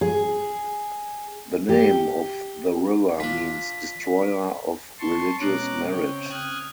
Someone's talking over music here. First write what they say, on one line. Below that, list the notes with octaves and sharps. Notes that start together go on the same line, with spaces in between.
The name of the river means "destroyer of religious merit".
G#4
G4
D4 F4 B6
A5 C6 C#6
B2 G#3 C#4 A#5 D6 F#6
C#3 C4 C#5 G5
D#6 F6 F#6 G#6